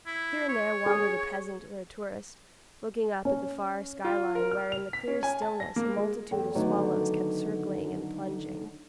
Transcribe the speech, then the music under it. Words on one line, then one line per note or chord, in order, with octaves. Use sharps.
Here and there wandered a peasant or a tourist, looking up at the far sky-line where, in the clear stillness, a multitude of swallows kept circling and plunging.
E4
C#5
G#4
C#4
F4
A#4
F6
F7
B6
C#4
G#5
A5
A#6
A#3
G#3
E2 A4 G5
D3 D#3 F#3 A3 B3 D#4